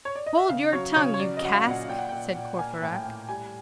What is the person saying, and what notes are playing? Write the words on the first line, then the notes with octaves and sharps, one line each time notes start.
"Hold your tongue, you cask!" said Courfeyrac.
C#5
D5
D#5
E5
C#3 F5
F#3 C#5
C#3 C#5
C#5
F#3 D5
D#5
F#3 F#5
F5
A#2
F#5
A#2 G5
F#5
A#2 G5
A#2
A#3 G#5
A2
G5
A2
G3 G#5